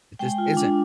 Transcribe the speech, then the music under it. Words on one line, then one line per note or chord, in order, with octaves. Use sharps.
It just isn't.
G#3 G5
F4
D4